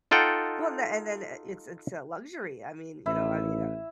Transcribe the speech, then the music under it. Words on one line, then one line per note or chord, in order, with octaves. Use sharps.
Well, then and then it's it's a luxury. I mean, you know, I mean,
D#4 F4 A4 F#5 G5
A1 E4